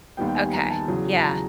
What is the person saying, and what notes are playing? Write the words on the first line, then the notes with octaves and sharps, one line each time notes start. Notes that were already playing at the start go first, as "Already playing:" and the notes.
Okay. Yeah.
D#2 D#3 G3 B3 G5
G5
G#5
A#5
G#5
A5
E2 C#3 F#3
A5
A#5